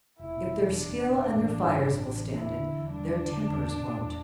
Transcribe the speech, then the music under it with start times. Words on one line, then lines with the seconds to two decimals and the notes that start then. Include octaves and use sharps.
If their skill and their fires will stand it, their tempers won't.
0.19 F1 E4
0.37 B2
0.55 E2
0.72 F1 D4
0.91 F1
1.09 B2
1.27 A1
1.45 E3
1.63 G2
1.81 A1
1.99 A1
2.17 E3
2.35 E1 E4
2.54 D3
2.71 E2
2.90 G3 D4
3.08 E1
3.25 D3
3.44 E2
3.62 B3
3.80 B2
3.98 E2